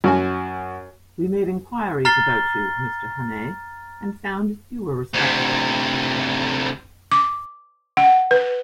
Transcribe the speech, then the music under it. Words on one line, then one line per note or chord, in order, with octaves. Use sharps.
We made inquiries about you, Mr Hannay, and found you were respectable.
F#2 F#4 G#5
A#5 F6 A6 C7 G7
D2 C3
D6
F#5
B4